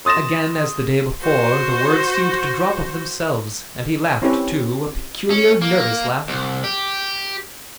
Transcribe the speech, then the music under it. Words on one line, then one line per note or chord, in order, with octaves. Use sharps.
Again, as the day before, the words seemed to drop of themselves, and he laughed, too, a peculiar, nervous laugh.
C6 D#6 A6 A#6 E7
F#4 C5
C4 C#4 E4 G4 B4 C#5
C#4
A#3
C2
G4